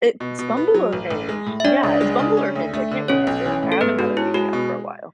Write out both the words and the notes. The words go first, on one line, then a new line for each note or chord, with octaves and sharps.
it's Bumble or Hinge. Yeah, it's Bumble or Hinge, I can't remember, I haven't had a dating app for a while.
B2
B2
B3
F#3
A1
A1
G#3
A2
E5
C#4 D4 D5
C#2
G#3
C#3
C#4
D2
A3
D3
B1 C#4 C#5
B1
E3
A2
A4
G#2 B3 B4
G#2 F#4
C#4 E4
G#3 F#4
B2